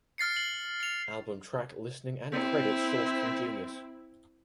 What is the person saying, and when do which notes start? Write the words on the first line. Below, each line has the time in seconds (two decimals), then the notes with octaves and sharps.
Album track listing and credits sourced from Genius.
0.18 F6 A6 C7 C#7
0.36 F#7
0.80 C#7 F7
2.32 C4 E4